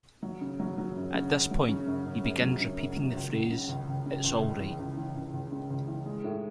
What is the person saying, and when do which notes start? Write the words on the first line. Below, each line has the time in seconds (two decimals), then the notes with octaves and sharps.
At this point he begins repeating the phrase it's all right.
0.23 F#3
0.41 C#3
0.60 F#3
0.78 F#3
0.96 F#2
1.14 C#3
1.33 C#3
1.51 F#3
1.68 C#3
1.86 F#2
2.05 F#2
2.24 F#2
2.42 F#3
2.60 C#3
2.78 F#2
2.96 F#3
3.15 C#2
3.33 C#2
3.51 C#3
3.69 C#2
3.88 C#2
4.06 C#3
4.24 C#2
4.42 C#2
4.60 E3
4.79 C#2
4.97 E3
5.16 C#2
5.34 C#2
5.52 C#3
5.70 C#2
5.88 E3
6.06 G#3
6.24 A2